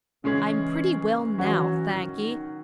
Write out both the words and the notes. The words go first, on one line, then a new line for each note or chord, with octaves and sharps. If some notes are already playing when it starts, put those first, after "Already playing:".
I'm pretty well now, thank ye.
C#3 E3 G#3 C#4 G#4
E3 F#3 C#4 F#4 C#5
D#3